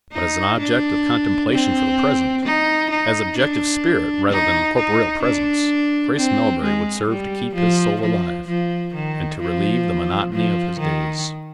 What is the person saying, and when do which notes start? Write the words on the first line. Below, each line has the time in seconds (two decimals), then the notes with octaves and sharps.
But as an object of contemplation for the present, as objective spirit rather than corporeal presence, Grace Melbury would serve to keep his soul alive, and to relieve the monotony of his days.
0.13 D#4
0.59 D4
1.52 C4
2.45 D#4
2.91 D#4
3.37 D4
4.31 D#4
4.76 D#4
5.23 D4
6.16 C4
6.63 G#3
7.09 G3
7.55 F3
8.01 F3
8.47 F3
8.94 D#3
9.40 F3
10.33 F3
10.80 D#3